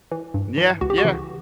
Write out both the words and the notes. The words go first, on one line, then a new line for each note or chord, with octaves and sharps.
Yeah, yeah.
E3
G2
E3
C#2 F#4
G4
F#4
C#3 E3